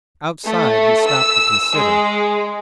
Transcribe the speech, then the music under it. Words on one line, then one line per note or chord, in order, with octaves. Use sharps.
Outside, he stopped to consider.
A3
E6
G#3